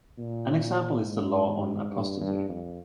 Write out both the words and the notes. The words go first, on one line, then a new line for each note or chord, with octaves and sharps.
An example is the law on apostasy.
A#2
G#2
G2
G2
F2